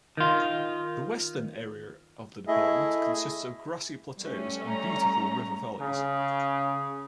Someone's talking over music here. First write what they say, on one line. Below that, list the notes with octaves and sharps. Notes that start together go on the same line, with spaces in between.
The western area of the department consists of grassy plateaus and beautiful river valleys.
D#3 F4
A3 E4 G#4 D#5 E5
G3 A3 C#4
A#5
C#3